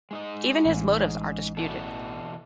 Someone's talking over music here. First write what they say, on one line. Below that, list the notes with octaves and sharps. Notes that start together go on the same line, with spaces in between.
Even his motives are disputed.
G#3 D#4 D#5
A1
E2 B2 A4